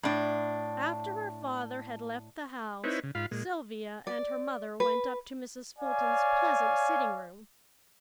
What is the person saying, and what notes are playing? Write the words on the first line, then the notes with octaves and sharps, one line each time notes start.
After her father had left the house Sylvia and her mother went up to Mrs. Fulton's pleasant sitting-room.
A2 D4
C4 D#4 E4 B4 C#5
C#3
G#2 F4 F5 B5
A#2 G#3
D5
B4
C#5 D5 F5 G#5